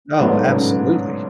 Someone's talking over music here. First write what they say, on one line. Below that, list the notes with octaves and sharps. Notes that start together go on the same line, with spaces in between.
Oh, absolutely.
G#2 B2 F#3 B3 D4
A2
B2
A2 C#3